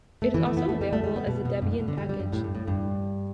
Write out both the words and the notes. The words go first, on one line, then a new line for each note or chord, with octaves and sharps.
It is also available as a Debian package.
A3
E3
A3
B3
A3
G3
A3
G3
B3
B2
B2
G2
A2
B2
D3
G3
G3
G2
A2
G2
A2
G2